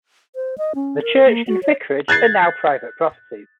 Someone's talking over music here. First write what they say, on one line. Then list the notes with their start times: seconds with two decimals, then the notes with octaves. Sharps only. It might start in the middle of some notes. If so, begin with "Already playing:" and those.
The church and vicarage are now private properties.
0.35 C5
0.58 D#5
0.75 C#4
1.02 A#4
1.26 A#3
1.48 F#4
1.63 C#5
2.08 F#6 G#6 A6 C7